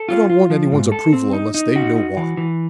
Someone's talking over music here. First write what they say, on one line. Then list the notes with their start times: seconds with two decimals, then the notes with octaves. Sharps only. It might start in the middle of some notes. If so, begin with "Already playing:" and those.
I don't want anyone's approval unless they know why.
Already playing: A4
0.09 F4
0.30 F4
0.50 F3
0.72 G#2
0.92 A4
1.13 C4
1.33 D#4
1.54 D#4
1.76 F#4
1.96 F#4
2.17 E3
2.37 E3